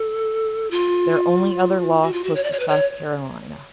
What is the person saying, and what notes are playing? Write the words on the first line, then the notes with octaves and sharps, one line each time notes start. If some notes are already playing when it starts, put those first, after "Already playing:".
Their only other loss was to South Carolina.
Already playing: A4
F4
F#4
F4
F#4
C#5
D5
C#5
B4
C#5